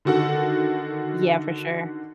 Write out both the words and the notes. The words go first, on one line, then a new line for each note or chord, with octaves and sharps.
Yeah, for sure.
D3 D#3 F#4 A4 F#5